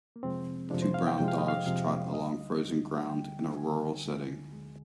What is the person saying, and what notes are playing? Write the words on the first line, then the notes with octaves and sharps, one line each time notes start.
Two brown dogs trot along frozen ground in a rural setting.
A#3
F2 C3 F3 G#3 C4
F2 C3 F3 G#3 D4
C5
F5
G5
F2 C3 F3 G#3 G5
F5
D#5
F5
F2 C3 F3 G#3 F5
D2 D3 G3 D#5
D2 D3 G3
D2 D3 G3 G5
D2 D3 G3 G#5
D2 D3 G#3
D2 D3 G#3